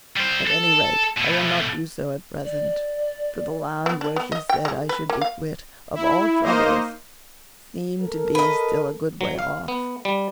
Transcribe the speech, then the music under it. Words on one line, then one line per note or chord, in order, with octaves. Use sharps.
At any rate I will not do so at present, for the land where she said I should be quit of all troubles seemed to be still a good way off.
G3 C5
A4
B2 A3
D5
B3
D4
B3
D#5
G5
G#3
B4
A#3
F5
E4
A#3 D#4 C5 D#5
A4 A#4
B4 D#5
F#3
F5
B3
G3